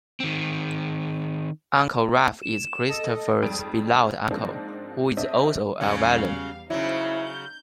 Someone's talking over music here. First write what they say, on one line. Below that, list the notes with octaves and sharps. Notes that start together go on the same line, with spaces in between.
Uncle Ralph is Christopher's beloved uncle, who is also a villain.
D#3 C4
E7
A4 D#5
F2 G#2 G3 D#6 D7
G#2 F3 A#3 C4 D4 D#4
C4 D4 D#5 E5 A5
E2 C#3 F#3 G3 C#4 F5
C#3 F#3 C#4 D#4 E4 C5
G6